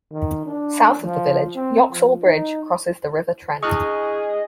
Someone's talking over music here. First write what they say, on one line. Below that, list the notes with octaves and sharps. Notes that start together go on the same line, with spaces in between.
South of the village, Yoxall Bridge crosses the River Trent.
D#3
D4
F3
C4
F3
D#4
D4 E4 G#4 D#5 C#6 D#6 F6 F#6